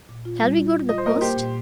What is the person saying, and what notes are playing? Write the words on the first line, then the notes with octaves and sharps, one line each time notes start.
Shall we go to the post?
A#2
F4
G3
F4
G3
F4 D#5
C5
A#3 A#4 D#5
A#3 G4 C5
A#2